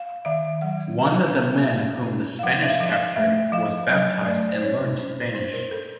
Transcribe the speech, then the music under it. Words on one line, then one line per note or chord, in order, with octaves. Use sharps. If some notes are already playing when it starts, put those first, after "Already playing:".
One of the men whom the Spanish captured was baptized and learned Spanish.
Already playing: F5
D#3 E5
F#3 F#5
G3 F5
G3 E5
E5
A#3 F5
C#4
F5
F3 F#5
E5
F5
F3
F5
A3 E5
F3 F5
F#3 D#5
A3 D5
C5
C#4 C#5
C#4 C5
D4 C5
A#4
D4 A4